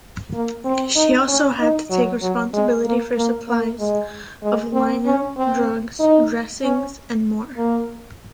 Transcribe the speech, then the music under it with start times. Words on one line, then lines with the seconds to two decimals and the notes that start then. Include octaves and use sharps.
She also had to take responsibility for supplies of linen, drugs, dressings and more.
0.34 A#3
0.65 C4
0.96 D#4
1.28 C#4
1.59 D#4
1.90 F#3
2.22 F#3
2.53 G#3
2.85 A#3
3.17 A#3
3.48 A#3
3.80 G#3
4.43 G#3
4.73 C4
5.06 C#4
5.37 C4
6.00 D#4
6.63 C#4
7.57 A#3